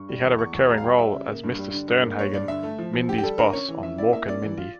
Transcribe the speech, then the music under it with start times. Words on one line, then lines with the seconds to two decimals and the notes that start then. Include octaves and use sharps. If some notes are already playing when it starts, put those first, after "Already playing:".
He had a recurring role as Mr. Sternhagen, Mindy's boss on "Mork & Mindy".
Already playing: G2 C#6
0.09 G3
0.24 E2
0.39 E2 C#6
0.53 E2 C#6
0.69 G3 A#5
0.78 F5
0.83 G3 G5
0.98 G3 E5
1.13 C#3
1.29 A#3
1.44 G2
1.59 G3
1.73 D3
1.88 G2
2.03 A#3
2.18 G2 C#5
2.34 G2 D5
2.48 D3 E5
2.63 A3
2.78 F3
2.93 F3
3.08 D3 G4
3.18 G4
3.23 G3 A4
3.38 D3 A#4
3.53 C#4 C#5
3.68 E3
3.83 C#4 E5
3.98 E4 D5
4.13 A#3 E5
4.28 C#4 D5
4.43 E3
4.58 F4